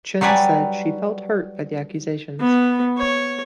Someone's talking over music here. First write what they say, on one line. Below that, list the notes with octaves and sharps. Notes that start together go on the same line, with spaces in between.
Chen said she felt "hurt" by the accusations.
F#3 G3 B4 D5 G#5
B3
C#5